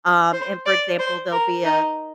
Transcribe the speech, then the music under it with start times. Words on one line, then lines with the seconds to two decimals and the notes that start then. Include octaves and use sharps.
Um, and, for example, there'll be a
0.33 C5
0.66 D5
0.99 C5
1.32 A#4
1.65 D#4